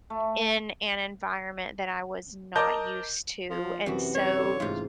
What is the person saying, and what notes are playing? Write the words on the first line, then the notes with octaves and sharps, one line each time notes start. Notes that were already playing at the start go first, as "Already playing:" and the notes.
in an environment that I was not used to, and so,
A3
A#4 D#5 A5 D6 G6
F3
F#2 C3 E3 F#4
C#5
D3
A1 G#2 C3 F4